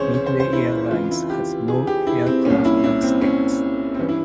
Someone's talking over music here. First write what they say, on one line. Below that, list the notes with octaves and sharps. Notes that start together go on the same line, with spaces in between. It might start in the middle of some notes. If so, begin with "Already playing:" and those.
Midway Airlines had no aircraft accidents.
Already playing: C#2 C3 E3 C#4 G#4 C5 C#5
C#5
C5
C5
E4
F2 C#3 E3 F4
E4
G4
G#4
G4
E4
C4
C2 A#2 C#4
E4
E4
C4
C#4
C4
G2 E3 C#4
E4